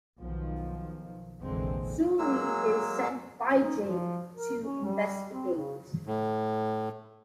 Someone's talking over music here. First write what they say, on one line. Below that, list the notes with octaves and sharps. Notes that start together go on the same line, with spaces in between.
Sully is sent by Jake to investigate.
B1 D#3 F3
F1 A#1 D3 E3 G#3 C4
F#3 G#3 A#3 E6
D#4
F3
A#4
C#4
G3
C4
C#3
A2